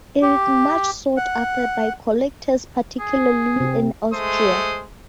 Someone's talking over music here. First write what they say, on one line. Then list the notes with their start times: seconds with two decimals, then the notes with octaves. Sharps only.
It is much sought after by collectors, particularly in Austria.
0.22 G4
1.17 F#5
3.00 G#4
3.56 C3 C4
4.14 G#3 A3 C5 D#6